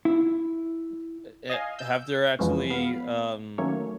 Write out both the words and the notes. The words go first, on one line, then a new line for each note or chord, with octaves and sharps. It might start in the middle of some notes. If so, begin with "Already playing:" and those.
N uh, eh have there actually, um,
E4
D#5 F5 G#5
E6 G6
F2 E3 F3 G#3 B3 C#4
B3 F5 B5
D#3 F#3 A3 A#3 C#4 C#5